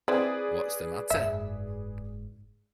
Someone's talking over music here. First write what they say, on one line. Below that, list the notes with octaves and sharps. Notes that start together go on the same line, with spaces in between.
What’s the matter?
C4 E4 G#4 B4 D5
F#1 G#2 E5